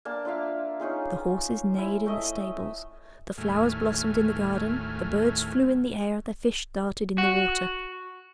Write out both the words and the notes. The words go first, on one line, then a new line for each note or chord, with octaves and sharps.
The horses neighed in the stables, the flowers blossomed in the garden, the birds flew in the air, the fish darted in the water.
A#3 D4 A5
D4 F4 E5 F5
C#4 D#4 F4 G#4
E4
A3 D#5 E5
D#2 A2 F#3 A3 G#5 F6
F#4